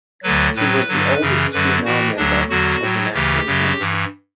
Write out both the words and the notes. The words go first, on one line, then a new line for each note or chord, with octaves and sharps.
She was the oldest female member of the National Council.
D2 D3 F#3 B4
A2 F#3 B4
G2 D3 F#3
F#2 C#3 E3
F#2 D3 F#3 B4
A2 E3 F#4
D2 D3 F#3 D4
E2 D3 F#3 F#4
A2 F#3
D2 C#3 E3 G4
F#2 C#3 F#3
G2 E3